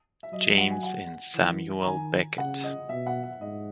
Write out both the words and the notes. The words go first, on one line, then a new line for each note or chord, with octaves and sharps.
James and Samuel Beckett.
E5
F#3 D#5
F#5
G#5
F#5
E3
A#5
D#3 G#5
C#3 F#5
D#5
B2 E5
F#5
E5
G#2 D#5